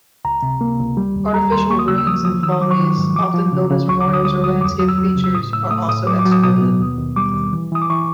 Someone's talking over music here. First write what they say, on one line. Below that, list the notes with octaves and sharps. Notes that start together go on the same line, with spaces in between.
Artificial ruins and follies, often built as memorials or landscape features, are also excluded.
C#2 A#5
C3
A#3
C#2
G3
D#2
G3 A#5
D#2 C6
A#3 C#6
D#6
C#3 E6
E6
F3 D#6
F3 D#6
D#3 E6
D#6
F#3 D6
C#6
D#3
G#2
F3 D6
F3
C#3
C#3
D2 C#6
D6
D3
D#6
G3 D#6
D2 D#6
F2 D6
F#3 D#6
E6
F#3
C#3
E6
A2 D#6
A2 E6
A3 D#6
A2 D#6
F#3 D6
D6
F#3
D#6
B2 D#6
B3
D#2
D#2
G3 D6
D#2
E3
E3 D#6
D6
E3 C#6